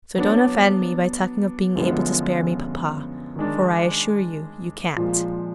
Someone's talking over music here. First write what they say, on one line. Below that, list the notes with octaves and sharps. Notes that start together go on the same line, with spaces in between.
So don't offend me by talking of being able to spare me, papa, for I assure you you can't.'
F#3 B3 D4
F#2 D3 F3 G#3 B3
D#3 G#3 D4
A#2 F3 G#3